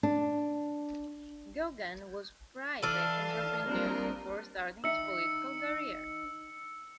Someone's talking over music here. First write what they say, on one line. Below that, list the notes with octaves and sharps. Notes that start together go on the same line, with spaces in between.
Gogan was a private entrepreneur before starting his political career.
D4
E3 D4 A4 F5 A5 F6 D#7
G3 A#3 C4 D4 F4 A#4
D#3 D#4 E5 E6 C#7